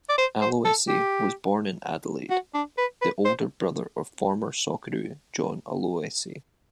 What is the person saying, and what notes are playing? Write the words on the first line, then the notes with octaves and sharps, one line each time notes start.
Aloisi was born in Adelaide, the older brother of former Socceroo John Aloisi.
D5
C5
C5
A4
G4
F#4
D4
B4
B4
C5